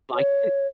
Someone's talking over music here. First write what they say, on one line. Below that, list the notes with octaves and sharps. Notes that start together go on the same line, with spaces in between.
Like it?
C#5